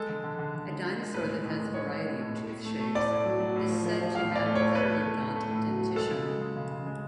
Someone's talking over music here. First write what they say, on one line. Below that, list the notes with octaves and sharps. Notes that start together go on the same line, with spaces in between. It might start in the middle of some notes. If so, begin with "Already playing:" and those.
A dinosaur that has variety of tooth shapes is said to have heterodont dentition.
Already playing: G#3 A4
D3
D3
D3
D3
G#3
G#3
G#3
A2 B4
G#3
A2
G#3
G#3 C#5
G#3
A2
A2
A2
A2
A3
A3
A2 D5
A2
F#3
F#3
A2
F3
F3
F3
A2 F5
A2 D5
A3
C#5
A2
A3 B4
A3
A3
A2
A3
A2
F#3
F#3
G#3 A4
C#3
G#3
G#3
C#3
C#3
G#3